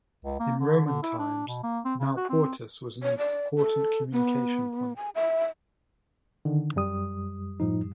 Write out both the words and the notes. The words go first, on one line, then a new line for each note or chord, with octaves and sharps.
In Roman times, Nauportus was an important communication point.
C#2
A#3
D3
D3
E4
D4
B2
A#3
C4
C#3
F#4
C4
C#5
D5
A4
B3
G#5
E5
D3 D#3
F#2 G3 D#6
A2 F3 D#4